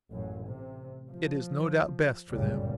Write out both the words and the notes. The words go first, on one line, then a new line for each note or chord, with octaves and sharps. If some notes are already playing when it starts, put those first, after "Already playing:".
It is no doubt best for them.
A1 F#2
C3
F3
G1 C#2 F#2 A#2 C#3 G3